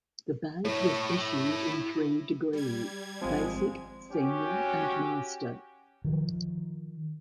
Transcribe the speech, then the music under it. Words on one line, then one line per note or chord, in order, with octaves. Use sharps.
The badge was issued in three degrees: Basic, Senior, and Master.
E4 C#5
G3 G#6
G#1 F3 G#3 C4
C#4 F#4 G4
D#3 F3